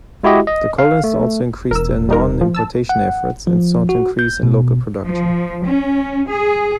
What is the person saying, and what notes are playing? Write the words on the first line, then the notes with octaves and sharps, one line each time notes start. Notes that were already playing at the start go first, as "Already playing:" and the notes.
The colonists also increased their non-importation efforts, and sought to increase in local production.
G#3 E4 F#4 G4 D#5
D#5
F5
A3
E1 A#4 E6
G3 D#4 A#4
F3
A5 E6
F#5
F3
F#4
G6
B2
F3
C#4
G#4